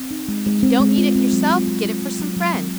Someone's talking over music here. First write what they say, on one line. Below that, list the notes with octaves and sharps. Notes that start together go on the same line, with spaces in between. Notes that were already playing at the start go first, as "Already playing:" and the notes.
If you don't need it yourself, get it for some friend.
Already playing: C4
D#4
G#3
G#3
C4
G#3
F4
C4
F#3
F4
C4
F4
F4
F#3
F#3
C4